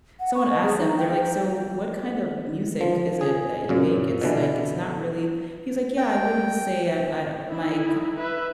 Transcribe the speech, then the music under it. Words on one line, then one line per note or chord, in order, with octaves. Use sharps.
someone asked him, they're like, "So what kind of music is it that you make? It's like it's not really" He was like, "Yeah, I wouldn't say, uh, uh, my
F#5
C#6
D#5
G#4
D#4
G5
G5
G5
F3
G#4
F#2 A#2
B2 D3 E3
G5
D#4 E4
B4 E5